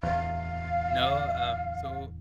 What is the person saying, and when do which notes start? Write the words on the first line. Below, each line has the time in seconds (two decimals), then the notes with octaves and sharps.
No, um, so
0.03 D1 E2 F5